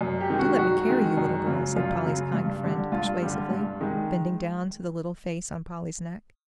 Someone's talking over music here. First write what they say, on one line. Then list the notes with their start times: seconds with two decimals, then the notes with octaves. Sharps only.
"Do let me carry you, little girl," said Polly's kind friend persuasively, bending down to the little face on Polly's neck.
0.01 F#2
0.20 G4
0.30 D#3 G#3
0.39 F#4
0.59 F#2 F#4
0.88 D#3 G#3
1.17 F#2
1.46 C#3 F#3
1.75 F#2 F4
2.05 C#3 F#3
2.34 G2
2.63 D3 G3
2.92 G2 F4
3.22 D3 G3
3.50 G2
3.81 D#3 G#3